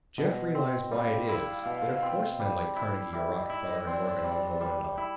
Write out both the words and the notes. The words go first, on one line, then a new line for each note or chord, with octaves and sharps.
Jeff realized why it is that of course men like Carnegie or Rockefeller and Morgan all know one another.
B2
C4
G3 F5
E4
B2
C4
G3
E4
G3 E5
D#5
E4
D#5
C4 D5
G3
G3
E4